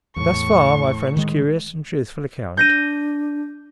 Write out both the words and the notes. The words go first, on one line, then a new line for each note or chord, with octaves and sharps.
Thus far my friend's curious and truthful account.
E2 A2 C#6
D#3 G#3
D4 G6 A#6 D#7